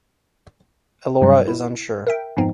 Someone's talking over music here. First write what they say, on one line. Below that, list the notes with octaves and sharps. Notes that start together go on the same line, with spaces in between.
Elora is unsure.
G2 C3 F#3 G3
E4
A#4 E5 G5
F2 G#2 F3 B3 C4 D#4